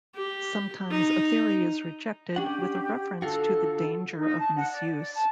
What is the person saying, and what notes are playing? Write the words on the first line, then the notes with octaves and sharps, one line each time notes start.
Sometimes a theory is rejected with a reference to the danger of misuse.
G4
D#4
C#4 D4 G4 F#5
D3 F4 F#4 A4
D#4
A5
F#5
D5
D5
A5